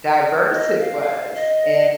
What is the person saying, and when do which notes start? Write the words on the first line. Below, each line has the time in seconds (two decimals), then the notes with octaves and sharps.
diverse it was, and
0.52 D#5
0.80 F5
1.01 F5
1.35 D#5